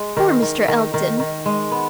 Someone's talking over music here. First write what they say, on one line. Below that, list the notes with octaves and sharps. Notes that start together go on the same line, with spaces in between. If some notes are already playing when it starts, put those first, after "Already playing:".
Poor Mr. Elton!
Already playing: G#3
D#3
D#3
D#3
D#3
D#3
G#3
B3